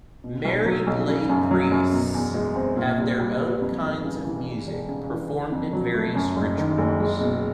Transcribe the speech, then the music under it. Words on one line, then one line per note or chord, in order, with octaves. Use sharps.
Married lay priests have their own kinds of music, performed at various rituals.
B2
B1
F#3
B1
C#3
F#2
F#3
F#2
B2
E2
G#3
C4
A#2
C2
G3
B3
F2
G1
C#3
E3
E2
E1
C#3
E3
D3
F2
F#3
A3
F#2
F#1
D#3
F#1
G#3
B2